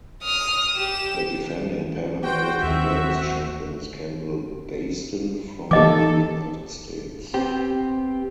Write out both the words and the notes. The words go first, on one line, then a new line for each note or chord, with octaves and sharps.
The defending Pan American Games champion is Kendall Baisden from the United States.
D#6 F6
G4 E7
F#4 C5 G5
D#2 C4 E5
E3 A#3 D#4 G4 A4 D#5 D6
B3 C4 G4